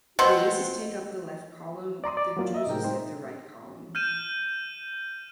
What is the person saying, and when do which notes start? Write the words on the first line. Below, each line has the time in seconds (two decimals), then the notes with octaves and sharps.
The Aces take up the left column, the deuces at the right column.
0.19 B2 C4 F#5 C6
2.04 D5 A#5 C6 D#6
2.17 D5
2.37 F#3 A#3 F4
2.55 D#5 E5
2.67 A2 C3 G#3 D#4 A#4 G5
2.84 C5
3.95 F6 G6 D#7 E7